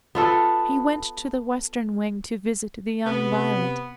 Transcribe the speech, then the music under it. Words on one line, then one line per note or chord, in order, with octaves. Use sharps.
He went to the western wing to visit the young Violet.
B3 F4 A4
C3 B3